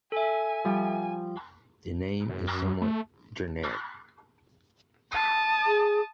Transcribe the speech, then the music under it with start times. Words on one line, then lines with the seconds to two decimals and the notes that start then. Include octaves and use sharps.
The name is somewhat generic.
0.12 A4 E5 G#5
0.65 F3 G3
2.29 F#2
2.82 A3
5.13 A5 D#6
5.67 G#4